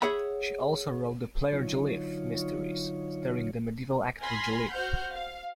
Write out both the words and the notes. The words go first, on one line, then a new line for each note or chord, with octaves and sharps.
She also wrote the "Player Joliffe" mysteries, starring the medieval actor Joliffe.
G#4 C#5 E5 F#5 B5
D3 F#3 D#4 F4 C#5
G#5 B5 C6 F6 A#6
F#4 C5 F#5 F6 G6
F5